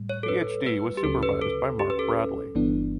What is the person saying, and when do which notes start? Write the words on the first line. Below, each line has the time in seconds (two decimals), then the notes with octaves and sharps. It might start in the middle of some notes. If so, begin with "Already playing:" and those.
His PhD was supervised by Mark Bradley.
Already playing: A2 G3
0.09 C#5
0.23 A4
0.28 B4
0.66 B4
0.97 G4
1.04 D2 C#3 F#3 C#4 A4
1.23 B4
1.42 A4
1.79 G4
1.90 B4
1.99 A4
2.55 G1 G2 E3 B3 D4